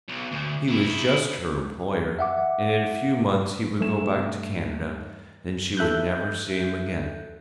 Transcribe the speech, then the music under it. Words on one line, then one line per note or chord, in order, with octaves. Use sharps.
He was just her employer, and in a few months he would go back to Canada, and she would never see him again.
B1
D2
D#3 E4
E5 F#5 D6
G2 A3 E7
A4 E5 F#6 G6